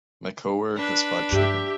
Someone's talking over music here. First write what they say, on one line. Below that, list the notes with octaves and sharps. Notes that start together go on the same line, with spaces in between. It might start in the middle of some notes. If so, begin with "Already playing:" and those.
Makoare has five children.
D4 B4
G2 G4 E5